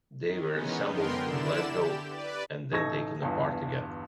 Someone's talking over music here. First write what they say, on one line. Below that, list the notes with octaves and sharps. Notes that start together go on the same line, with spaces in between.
They were assembled in Glasgow and then taken apart again.
D#3
E3 G#3 B3 C#4 D#4
F#2 D3 B3 A#4 G5 C6
D3 E4 D5 E7
G4
B4 D5
A1 D#4 A4 C#6 G#6 A#6
G1 E2 G2